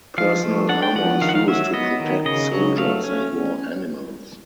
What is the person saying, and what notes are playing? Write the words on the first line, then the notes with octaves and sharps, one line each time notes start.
Personal armour is used to protect soldiers and war animals.
F3 F5
A3
D4 F#5
G5
F3 F#5
D#3 F5
F#5
F5
F#3 E5
B3 D#5
D#3
C#3 D#5
F#3
A3 F5
C#4